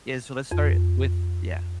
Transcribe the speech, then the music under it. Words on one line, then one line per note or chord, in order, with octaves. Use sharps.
Yeah, so let's start with yeah.
F2